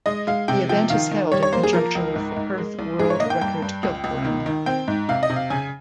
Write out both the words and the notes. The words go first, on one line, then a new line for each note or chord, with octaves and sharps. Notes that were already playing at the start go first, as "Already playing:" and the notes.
The event is held in conjunction with the Perth World Record Kilt Run.
G#3 D#5
G#3 F5
C3 G5
F3 G5
D#3 F5
D#3
G3 C#5
C#5
A#3 C5
G#4
F3 A#4
C#2
G#2
G#2
G#3
C2
G#2 G#4
C#5
A#3 D#5
G5
G2 G5
G2
C#2
C#2
D#3
D#3
C4 G5
G#2
C3 F5
D#5
C3
F5
C#3 G#5